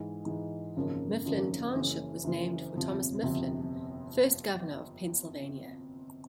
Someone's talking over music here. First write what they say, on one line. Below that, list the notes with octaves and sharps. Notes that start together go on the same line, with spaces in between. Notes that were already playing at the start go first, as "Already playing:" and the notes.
Mifflin Township was named for Thomas Mifflin, first governor of Pennsylvania.
Already playing: G#2 E3 G#3
G#2 E3 G#3
G#1 F#2 C#3 F3 A#3
G#1 F#2 C#3 F3 A#3
F#1 F#2 C#3 E3
F#1 F#2 C#3 E3
G1 F2 C3 F3
G1 F2 C3 F3